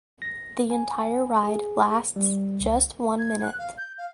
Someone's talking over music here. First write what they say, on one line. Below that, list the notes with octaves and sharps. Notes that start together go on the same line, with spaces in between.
The entire ride lasts just one minute.
A#6
G#5
G#4
G3
C#2
G#6
F#6
F5
G6
F5